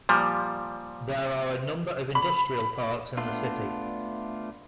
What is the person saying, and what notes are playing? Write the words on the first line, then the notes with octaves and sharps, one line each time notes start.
There are a number of industrial parks in the city.
A#2 F3 G3
B5
A3 B3 D4 F4